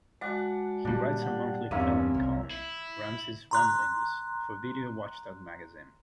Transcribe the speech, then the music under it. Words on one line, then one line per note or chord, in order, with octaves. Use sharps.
He writes a monthly film column, "Ramsey's Ramblings", for "Video Watchdog" magazine.
G#3 F#4 D5 F#5 A5
A#2 G3 D4
F#5 G5
E2 G2 A#3 C4 C#4 E5
C2
E4
A#5 C6 F#6